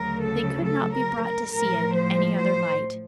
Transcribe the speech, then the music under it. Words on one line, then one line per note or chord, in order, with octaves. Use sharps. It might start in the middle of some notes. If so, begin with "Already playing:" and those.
They could not be brought to see it in any other light.
Already playing: D2 C#3 F#3 A#4
A4
A4
A#4
A#4
A2 F3 A#4
C5
C5